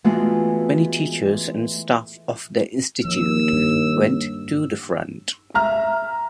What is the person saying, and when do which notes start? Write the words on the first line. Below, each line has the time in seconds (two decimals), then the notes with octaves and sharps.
Many teachers and staff of the Institute went to the front.
0.04 E3 G#3 A3 B3 F4 F#4
3.05 D#2 F3 E6
3.53 G2 G3 D4
5.54 E5 A#5 F6